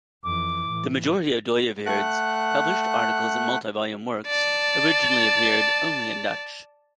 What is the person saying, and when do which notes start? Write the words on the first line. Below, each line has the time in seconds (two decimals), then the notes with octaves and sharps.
The majority of Dooyeweerd's published articles and multi-volume works originally appeared only in Dutch.
0.24 F2 E3 D6
0.68 A2 E3
1.86 A3 F#5 F#6
4.27 D5 A5